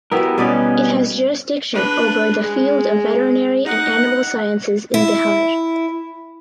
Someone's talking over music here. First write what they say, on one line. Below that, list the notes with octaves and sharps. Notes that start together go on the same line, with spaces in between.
It has jurisdiction over the field of veterinary and animal sciences in Bihar.
B3 E4 F#4 G4 A#4
B2 G3 B3 C#4 B4 D5
D4 B4
G#3
D#4 F#5
E4